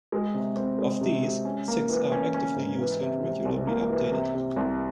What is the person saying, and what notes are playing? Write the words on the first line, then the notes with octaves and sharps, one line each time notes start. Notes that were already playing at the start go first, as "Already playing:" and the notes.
Of these, six are actively used and regularly updated.
G#3
C3
C4
G#3
C3
G#3
C#4
A#3
E3
C#4
C#4
G#2
E3
C3
C3
C2
A#3
E3
C3
C3
C2